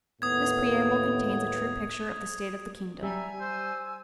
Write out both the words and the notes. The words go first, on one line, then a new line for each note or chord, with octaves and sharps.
This preamble contains a true picture of the state of the kingdom.
D#2 A2 B3 D#6 G#6
G3 E5 G#5 A#5
C5 E6